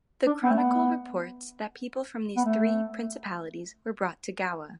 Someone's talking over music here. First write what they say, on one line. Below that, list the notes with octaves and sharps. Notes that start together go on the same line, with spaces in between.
The chronicle reports that people from these three principalities were brought to Gowa.
D4
B3
A3
B3
B3
A3